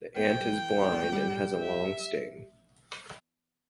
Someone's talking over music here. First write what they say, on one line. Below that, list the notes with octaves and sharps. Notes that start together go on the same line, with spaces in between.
The ant is blind and has a long sting.
B3 G5
A3
G3
E3
D4
B3
A3
G3
E5